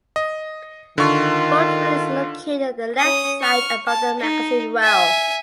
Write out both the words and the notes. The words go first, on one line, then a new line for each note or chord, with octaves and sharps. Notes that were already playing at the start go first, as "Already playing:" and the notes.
Bolt release is located on the left side above the magazine well.
D#5
D3 D#3 F4 C#6
C#4 D#6
C#6 F6
A5
D#4
E5 G#5